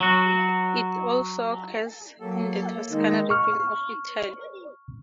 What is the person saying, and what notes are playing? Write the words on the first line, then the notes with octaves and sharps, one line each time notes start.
It also occurs in the Toscana region of Italy.
F#3 F#4
F#3 A#3 A4
D#3 G#3 D#4
C#6 F6